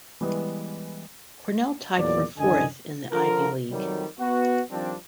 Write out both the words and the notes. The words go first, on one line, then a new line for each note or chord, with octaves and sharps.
Cornell tied for fourth in the Ivy League.
E3 G3 G#3 B3
E2 A#2 F#3 D5
C#2 F#2 D3 E3 D#5 G#5
D3 F3 F4 A#4
F2 D#3 F#3 G3
B3 F#4
D#3 F3 G3 C4 D4